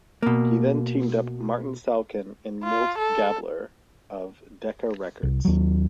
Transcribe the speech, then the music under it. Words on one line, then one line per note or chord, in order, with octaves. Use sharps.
He then teamed up Martin Salkin and Milt Gabler of Decca Records.
B2 A#3
F4
A4
C2
D#2 F#3